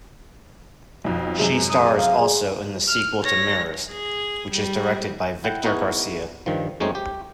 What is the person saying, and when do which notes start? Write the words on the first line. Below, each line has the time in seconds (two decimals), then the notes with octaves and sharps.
She stars also in the sequel to "Mirrors", which is directed by Victor Garcia.
1.04 B1 F2
1.37 F#2 C3 G#3
1.70 D#6
1.97 F5
2.20 G#4
2.88 F6
3.23 C#5 A#6
3.91 G#4
4.52 G3
5.44 E4 F#5 G5
5.63 B3 D#4 E4 F#4 G#4
6.46 G2 D#3 F3
6.80 F#2 G#3 A3 C4 D#4 C#5
6.95 G4